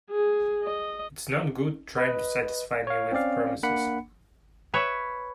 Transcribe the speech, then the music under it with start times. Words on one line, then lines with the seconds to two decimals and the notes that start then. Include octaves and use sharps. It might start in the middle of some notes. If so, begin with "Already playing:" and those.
It's no good trying to satisfy me with promises.
0.11 G#4
0.64 D#5
1.98 B4 D#5
2.87 C#5 F5
3.12 C4 C#4 D5 F5
3.63 A#3 D4 F#5 B5 C#7
4.74 B4 C#5 E5